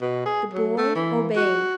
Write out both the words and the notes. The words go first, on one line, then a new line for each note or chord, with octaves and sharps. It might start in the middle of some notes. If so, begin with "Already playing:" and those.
The boy obeyed.
B2
G#4
F#3
A3
E3
F#4